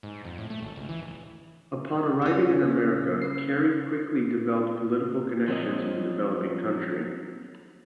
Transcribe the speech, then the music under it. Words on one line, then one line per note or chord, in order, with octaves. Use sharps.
Upon arriving in America, Carey quickly developed political connections in the developing country.
G#2
F2
A2
A3
G#1
C#2
E3
D1
E2 C#3 C#4 G#4
B4 C7
F3 F#3 C4 D#5